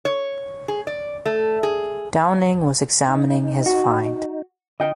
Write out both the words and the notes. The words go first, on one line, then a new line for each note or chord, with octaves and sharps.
Downing was examining his find.
C#5
G#4
D5
A3
G#4
D#4
F#4
D3 F4 D#5 G5